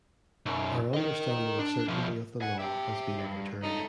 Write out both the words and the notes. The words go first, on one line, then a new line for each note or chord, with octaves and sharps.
Our understanding of certainty of the law has been overturned.
B1 F#2
A#4 D#5
D4
B2 F3
F#5 G#5
G4 E5 G5
G2
C#2 D#4 A4